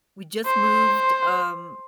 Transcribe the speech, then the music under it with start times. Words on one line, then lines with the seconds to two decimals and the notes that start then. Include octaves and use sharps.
we just moved, um,
0.45 C5